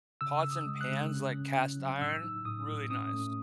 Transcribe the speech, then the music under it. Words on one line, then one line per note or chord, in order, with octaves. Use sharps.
pots and pans like cast iron, really nice.
C#3 E6
C#3
D#6
G#3
F#6
C#3
C#4
C#4
E4
F#3
A2 E6
D#4
A2 D#6
A2
C#4 D#6
A3